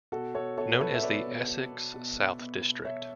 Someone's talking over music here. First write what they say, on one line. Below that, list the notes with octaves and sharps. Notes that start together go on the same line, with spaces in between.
Known as the "Essex South" district.
B2 F#4 A4
B2 A4 C#5
B2 A4 C#5
B4
B2 A4 C#5
E5
B2 B4 D5
B2
B2
B2
B2
B2
B2
B2
B2 C#5 E5